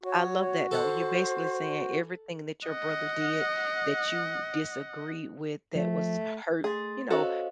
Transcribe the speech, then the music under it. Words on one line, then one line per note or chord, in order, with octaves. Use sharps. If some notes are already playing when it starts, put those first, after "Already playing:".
I love that, though. You're basically saying everything that your brother did that you disagree with that was hurt you know,
F#4 C#5
A4 C5 F#5
D#5 F#5
F3 A3
A3 G#4 C6 A6
C#4 F#4 A4 C5 D#5 F5